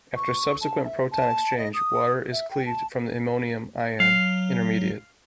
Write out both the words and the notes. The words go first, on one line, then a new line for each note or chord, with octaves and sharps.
After subsequent proton exchange, water is cleaved from the iminium ion intermediate.
C#6
A5
E5
A5
D#5
D#6
E5
G5
A5
F#3 F5